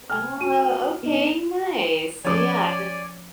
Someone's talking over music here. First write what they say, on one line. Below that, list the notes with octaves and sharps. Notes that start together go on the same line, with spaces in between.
Oh, okay. Nice. Yeah, d
G#5 F6
F#4 D#7
B3 D#4
F3 C#4 C#5 D5 G#5 D6